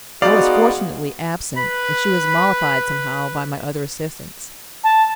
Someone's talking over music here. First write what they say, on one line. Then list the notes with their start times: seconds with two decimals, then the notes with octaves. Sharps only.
I was fortunately absent, and she was mollified somehow by my other assistants.
0.22 G#3 B3 D#4 F#4 D5 F5
1.56 B4 B5
4.84 A5